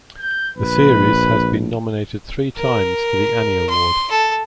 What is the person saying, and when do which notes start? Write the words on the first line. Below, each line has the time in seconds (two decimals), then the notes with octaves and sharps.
The series has been nominated three times for the Annie Award.
0.18 G6
0.57 A#1 B4
2.56 A#4
3.69 C6
4.11 A4